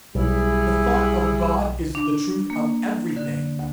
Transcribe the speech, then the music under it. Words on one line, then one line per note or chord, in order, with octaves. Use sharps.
The thought of God is the truth of everything.
B1 G3 E4 G#4
D4
A#3
D3
D2